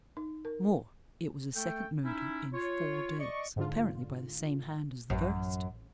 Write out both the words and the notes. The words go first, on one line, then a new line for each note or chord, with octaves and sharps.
More, it was a second murder in four days, apparently by the same hand as the first.
D#4
A#4
A3 A4 G5
C#4 D#4 E4
F4 C#5
D5 D#5 C#6
G#2 D3 F4
A1 F#2